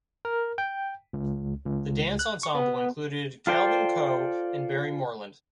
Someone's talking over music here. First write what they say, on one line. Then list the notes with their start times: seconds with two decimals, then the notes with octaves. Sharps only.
The dance ensemble included Kelvin Coe and Barry Moreland.
0.25 A#4
0.58 G5
1.13 C#2
1.65 C#2
2.19 F#6
2.43 C#6
2.55 B3
3.47 F4 A4 C5 D5 G5